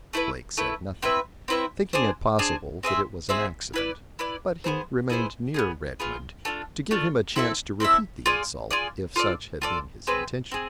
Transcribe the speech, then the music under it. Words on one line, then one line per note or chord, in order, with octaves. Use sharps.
Blake said nothing, thinking it possible that it was an accident; but he remained near Redmond, to give him a chance to repeat the insult, if such had been his intention.
A3 E4 B4
A3 E4 B4
C4 E4 B4 E5
C4 E4 B4 E5
D4 G#4 C5
D4 G#4 C5
C4 G#4 C5 E5
C4 G#4 C5 E5
E4 B4 D5
E4 B4 D5
B3 E4 G#4 C5
B3 E4 G#4 C5
B3 F4 G#4
B3 F4 G#4
A3 D4 F4
A3 D4 F4
C4 E4 A4 E5
C4 E4 A4 E5
F4 G#4 D5
F4 G#4 D5
F4 A4 D5
F4 A4 D5
C4 G#4 B4
C4 G#4